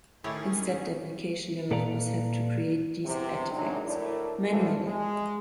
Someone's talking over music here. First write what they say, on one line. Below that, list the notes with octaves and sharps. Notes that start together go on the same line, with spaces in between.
Instead the application developers have to create these artifacts manually.
A2 D#3 C#4 E4 G4 G#4 C#5
A#2 A4 B4 D5 F5 A#5
E2 C3
F#2 D#3 F#3 G#3 D4 D#4
D2 A2 E4 A#4 D5
A#2 D3 E3 F3 G#3 A3
G#3